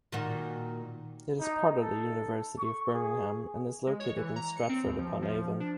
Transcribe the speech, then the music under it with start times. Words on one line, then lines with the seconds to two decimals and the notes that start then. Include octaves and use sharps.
It is part of the University of Birmingham, and is located in Stratford-upon-Avon.
0.12 A#2 D#3 F#4
1.40 D#4
1.80 A4
2.59 C#6
2.94 G#4
3.87 G#3
4.00 C#5
4.16 E3
4.36 A#5
4.57 C#7
4.69 C4
4.86 D#2
4.98 F3
5.22 F3
5.60 D4